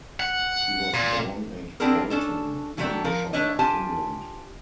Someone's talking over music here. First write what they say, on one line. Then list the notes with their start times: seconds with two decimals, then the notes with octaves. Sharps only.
He was born at Bolton, Lancashire, England.
0.20 F#5
0.94 A#2
1.80 B3 C4 D4 E4 G#4 A#4
2.10 C#4 D4 A4
2.77 E3 F#3 A3 B3 D4 G4
3.04 F3 A#4
3.33 A3 D4 C#5 D#5
3.59 F4 G4 G#5 A5